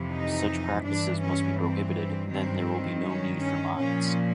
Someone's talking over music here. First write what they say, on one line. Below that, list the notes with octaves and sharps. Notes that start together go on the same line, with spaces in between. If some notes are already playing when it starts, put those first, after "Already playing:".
Such practices must be prohibited; then there will be no need for mines.
Already playing: F2 C3 E3
D#4
G2 E3 D4
C#4
C4
G2 D#3 C4
C#4
C#4
A#2 F3 C#4